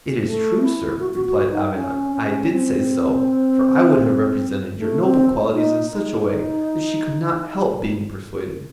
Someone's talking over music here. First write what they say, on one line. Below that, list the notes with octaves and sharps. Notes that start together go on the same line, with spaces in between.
"It is true, sir," replied Avenant, "I did say so, for I would have represented your noble qualities in such a way, that she could not help being persuaded."
A3
E4
F#4
F#4
F#4
D#4
C#4
C#4
C#4
C4
A3
C4
D#4
D#4